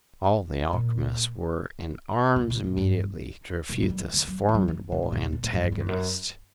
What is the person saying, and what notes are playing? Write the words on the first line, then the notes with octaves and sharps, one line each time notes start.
All the alchymists were in arms immediately, to refute this formidable antagonist.
A#2
B2
C#3
B2
G2
B2
F#3
G3
E3
D3
F#3
G3
F#3
E3
C#3
A#2
B2
D3
B2
A#2
G2
G2
F#2
E2
F#2